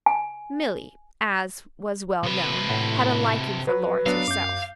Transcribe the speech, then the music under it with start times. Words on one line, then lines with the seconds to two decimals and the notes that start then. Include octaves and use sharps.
Milly, as was well known, had a liking for Lawrence herself.
0.06 G#5
2.24 C3 B4
2.69 A2 F#5 B5
3.67 F#3 B4
4.06 F#3 B3 D4 F5
4.28 F#2 D6 G6